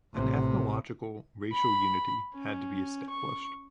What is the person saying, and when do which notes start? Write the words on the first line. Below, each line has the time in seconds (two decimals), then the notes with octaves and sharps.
An ethnological, racial unity had to be established.
0.13 A1 C3
1.53 B5
2.35 C#4
3.10 C#6